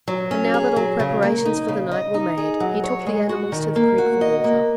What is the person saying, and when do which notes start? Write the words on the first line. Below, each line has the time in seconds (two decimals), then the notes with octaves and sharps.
And now that all preparations for the night were made, he took the animals to the creek for water.
0.08 F#3
0.31 C#4
0.54 G#4
0.76 F#3
1.00 C#3
1.23 A#3
1.45 D#4
1.68 C#3
1.91 D#5
2.14 D#4
2.37 G#4
2.60 F#3
2.84 C#5
3.07 G#3
3.29 F#4
3.52 D#3
3.76 A#3
3.98 F#4
4.21 D#5
4.44 A#3